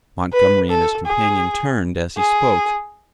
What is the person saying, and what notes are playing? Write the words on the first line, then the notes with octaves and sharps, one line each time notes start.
Montgomery and his companion turned as he spoke.
B4
A4
G#4
G#4